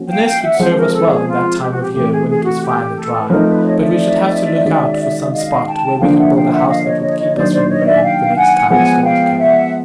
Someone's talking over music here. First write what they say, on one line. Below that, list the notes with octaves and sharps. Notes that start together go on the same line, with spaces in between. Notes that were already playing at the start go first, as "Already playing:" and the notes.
The Nest would serve us well in that time of year when it was fine and dry, but we should have to look out for some spot where we could build a house that would keep us from the rain the next time the storms came.
Already playing: F3 A#3 C#4 F#4
F5 G5
F5 G5
E5 F#5
F3 G#3 C4 C5
A#4
A4
G#4
F4
G4
F#4
G4
C3 E3 A3 C4 G4
G#4
G#4
F#4
G4
A#4
A4
B4
F3 A3 C4 D#4 A#4
B4
C#5 D#5
D5 E5
D#3 G#3 C#4 F#4
E5
D#5 F5
G5 A5
D3 F3 A#3 D4 F5 G5
E5 F#5
F5 G5
E5 F#5
D#5 F5
C#5 D#5
C#5 D#5
C#5 D#5
D#3 F#3 A#3 D4 F#4 C5 D5
C5 D5
C#5 D#5
D5 E5
G#5
F5 G5
F#5 G#5
F3 G#3 B3 F#5 G#5
F5 G5
E5 F#5